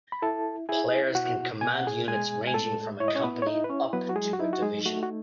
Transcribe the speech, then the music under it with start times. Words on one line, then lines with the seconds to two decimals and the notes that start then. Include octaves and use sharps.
Players can command units ranging from a company up to a division.
0.12 B5
0.22 E4 A4 A5
0.69 E4 G#4 G#5
1.15 B2 F#4 F#5
1.61 B2 G#5
1.74 F#5
1.87 G#4 G#5
2.08 G#3 G#4 G#5
2.47 G#5
2.54 A2 A4 A5
3.00 E4 C#5
3.08 D#5
3.15 C#4 C#5
3.24 B3 B4
3.42 C#5
3.47 D#4 E4 D#5
3.64 B4
3.70 C#4 C#5
3.93 F#3 B3 B4
4.09 F#4
4.16 G#3 G#4
4.33 F#4
4.39 D#4 E4
4.53 F#4
4.62 G#3 G#4
4.86 A3 F#4
5.03 F#4